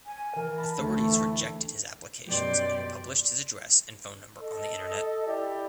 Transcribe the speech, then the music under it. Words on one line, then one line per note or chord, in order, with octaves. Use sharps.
Authorities rejected his applications and published his address and phone number on the internet.
G#5
E3 A#4
A5 B5 A#6
D2 A3
E4
F#2 B2 G4 D5 C6 D6
A4 D#5
E4 G4 D5